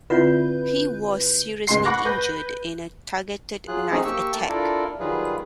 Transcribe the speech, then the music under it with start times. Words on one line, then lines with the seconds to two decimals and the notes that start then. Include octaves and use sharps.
He was seriously injured in a targeted knife attack.
0.10 D3 C4 E4 F4 B4 E5 F#5 G6
1.67 C#2 C#3 G#3 C6 C7
1.85 F#5 B5 C#6 D6 F#6 A#6
2.05 B4 G6 A#6
3.68 F#3 F4 G#4 F#6
3.91 F#3 A3 C4 C#4 D#4 G#4
4.05 A#3 G4 C#6 E6
4.32 A3 A#3 A5
4.48 D4 E4 F4 A4 A#4 D5
5.00 D#3 F#3 G3 F4 G#4 B4